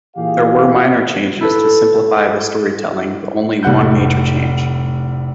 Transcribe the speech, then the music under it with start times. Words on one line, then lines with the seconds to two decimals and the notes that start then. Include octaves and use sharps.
There were minor changes to simplify the storytelling, but only one major change.
0.16 A#2 E3 G4 G#4 F5
1.41 E4 A4 B4
3.63 F1 A2 G3 F#5 F#6 G6